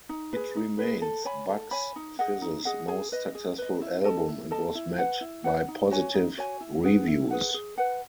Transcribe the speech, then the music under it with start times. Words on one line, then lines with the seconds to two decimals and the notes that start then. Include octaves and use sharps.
It remains Bucks Fizz's most successful album and was met by positive reviews.
0.09 D#4
0.33 G#4 B4
0.56 D#4
0.79 B4
0.84 G#4
1.02 A4
1.25 C#5 G#5 B5
1.49 A4
1.71 C#5 G#5 B5
1.96 D#4
2.19 G#4 D#5 F#5
2.42 D#4
2.65 G#4 D#5 F#5
2.88 G#4
3.12 B4 D#5
3.35 G#4
3.58 B4 D#5
3.81 E4
4.04 A4 D#5 A5
4.29 E4
4.51 A4 D#5 A5
4.75 E4
4.98 B4 F#5
5.21 E4
5.44 B4 F#5
5.68 D#4
5.91 F#4 C#5 G#5
6.14 D#4
6.37 F#4 C#5 G#5
6.61 E4
6.83 G#4 B4 F#5
7.08 E4
7.31 G#4 B4 F#5
7.54 G#4
7.78 B4 F#5